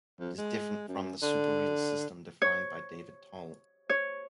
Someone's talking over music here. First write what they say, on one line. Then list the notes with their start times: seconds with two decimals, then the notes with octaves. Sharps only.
It is different from the super-real system defined by David Tall.
0.20 F2
0.38 G#3
0.88 F#2
1.22 D3
2.42 C#5
3.89 C#5